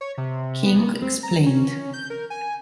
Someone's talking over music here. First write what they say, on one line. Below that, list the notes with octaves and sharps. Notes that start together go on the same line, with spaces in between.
King explained.
C#5
C3
B3
C4
A#5
C#4
G6
A#4
G#5